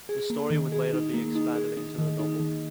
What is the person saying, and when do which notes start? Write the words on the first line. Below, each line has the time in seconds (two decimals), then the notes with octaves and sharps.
The story would later be expanded into the novel.
0.09 G#4
0.30 A#3
0.51 D#3
0.72 G#4
0.93 D#4
1.14 A#3
1.35 D#4
1.56 G#4
1.77 D#4
1.99 D#3
2.19 D#4
2.40 D#3